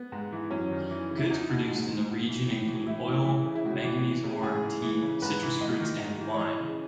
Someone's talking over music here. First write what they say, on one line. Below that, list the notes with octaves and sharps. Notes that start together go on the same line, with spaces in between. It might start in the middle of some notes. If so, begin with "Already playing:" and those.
Goods produced in the region include oil, manganese ore, tea, citrus fruits, and wine.
Already playing: B3
G#2
E3
F#2 C#4
D#3
E3
C#3
E4
E2 D#4
B2
G#2
D#3
G#2
E3
A2
E3
A2 E4
E3
E3
C#3
E4
A2 F#4
E3
E3
C#3
G#2 G#4
E3
E3
C#3
G#2 B4
E3
G#2 D#5
D#3
G#2
E3
C#5
E3 D#5
C#3